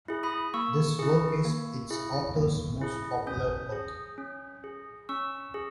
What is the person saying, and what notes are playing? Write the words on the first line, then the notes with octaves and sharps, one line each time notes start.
This work is its author´s most popular work.
E4 G#4
B5 D#6
A#3 C#6 E6
E4 G#4
A#3
E4 G#4
A#3
E4 G#4
C#4 D#6 G6
G#4
C#4
G#4
C#4 C#6 E6
G#4